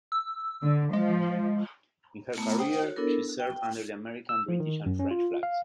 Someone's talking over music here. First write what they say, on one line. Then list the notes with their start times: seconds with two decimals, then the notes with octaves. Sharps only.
In her career she served under the American, British and French flags.
0.12 E6
0.63 D3
0.93 F3 G#3
2.38 A3 B3 E4 A#5 B5
2.59 C5 F#5 G5 D#6
2.83 F#4 C#5
2.96 B3 D4 E4 A4 A#4
3.40 G5
4.29 E6
4.48 F3
4.60 D#3
4.86 F#2
4.99 C#4
5.11 F4
5.43 F5